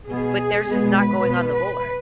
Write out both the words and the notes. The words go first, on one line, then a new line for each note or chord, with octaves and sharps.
but theirs is not going on the board.
B2 B3 G#4
B2 G#3 B3
B4
B2 B3
B4